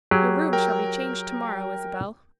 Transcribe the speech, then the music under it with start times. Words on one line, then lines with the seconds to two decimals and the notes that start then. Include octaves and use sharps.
"Your rooms shall be changed to-morrow, Isabel."
0.11 F#3 G4 G#4
0.53 A#4 G5